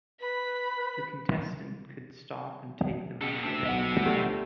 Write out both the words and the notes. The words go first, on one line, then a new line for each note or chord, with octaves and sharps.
The contestant could stop and take the money at any time.
B4 B5
C#3 G4 A4
D2 C4 E5
B1 D#5 F#5
G3 A3
G1